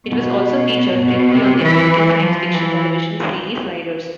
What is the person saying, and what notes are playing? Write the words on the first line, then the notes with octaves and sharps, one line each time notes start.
It was also featured briefly on the American science fiction television series "Sliders".
B2
B2
C3
E3
F3
E3